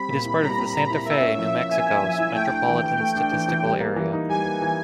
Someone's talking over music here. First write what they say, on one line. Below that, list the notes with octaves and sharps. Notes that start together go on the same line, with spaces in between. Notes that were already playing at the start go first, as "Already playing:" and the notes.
It is part of the Santa Fe, New Mexico Metropolitan Statistical Area.
Already playing: G3 C4 B5
A#2
E4
G3 A#5
C4
A#2 A#5
E4
A#3 E5
C#4
F3 E5
E4
A#3 G#5
C#4
F3
E4
A3 G5
D4
E3
E3
A3
D4
E3
E3
G3
A#3
E3
D#4
G3 G#5
A#3
E3